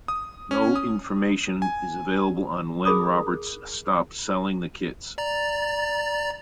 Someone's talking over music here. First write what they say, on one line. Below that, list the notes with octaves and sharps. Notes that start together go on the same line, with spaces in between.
No information is available on when Roberts stopped selling the kits.
D#6
C#4
D#6
G#5
D#4 G#4 A#4 B5 D6 D#6
D5 A#5 A6